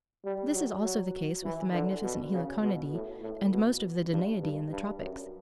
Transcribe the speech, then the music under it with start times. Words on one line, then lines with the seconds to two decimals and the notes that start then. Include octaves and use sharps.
This is also the case with the magnificent Heliconidae, and most of the Danaidae in the tropics.
0.24 G3
0.53 F#3
0.83 F#3
1.43 E3
1.73 D3
2.03 B2
2.33 C#3
2.62 B2
2.92 A2
3.22 A2
3.51 B2
4.11 G2
4.41 G2
4.71 G2
5.00 F#2